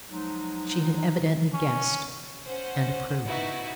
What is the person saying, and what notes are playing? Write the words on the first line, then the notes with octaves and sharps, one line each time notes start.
She had evidently guessed and approved.
F3 F#3 G#3 D#4
C#4
C#4 C5 F#5
B3 D#4 E4 F#4